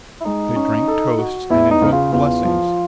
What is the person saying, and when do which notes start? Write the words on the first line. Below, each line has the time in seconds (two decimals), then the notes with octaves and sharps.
They drank toasts and invoked blessings.
0.21 E4
0.25 G#3 D#4
0.56 C#4
0.87 A4
1.19 F#4
1.50 E2 E4
1.71 D#4
1.82 C#3
1.92 F4
2.12 E2 F4
2.44 F3